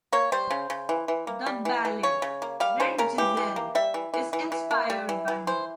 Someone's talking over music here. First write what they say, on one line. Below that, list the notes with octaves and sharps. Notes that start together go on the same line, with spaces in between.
The Ballet "Red Giselle" is inspired by her.
A#3 C#5
G3 C5
C#3
C#3
E3
E3
A#3
G3
E3
E3
C#3 C#5
C#3
A#3
G3 F5
C#3 C5
C#3 A#4
E3 G4
E3
A#3
G3 E5
E3
E3
E3
E3
A#3
G3
E3
E3
E3 C5